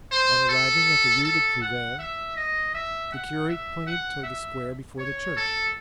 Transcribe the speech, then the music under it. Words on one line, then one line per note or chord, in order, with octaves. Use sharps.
On arriving at the Rue des Prouvaires, the curate pointed toward the square before the church.
C5
A4
A4
F#5
E5
D#5
E5
F#5
E5
F#5
E5
C#5
A4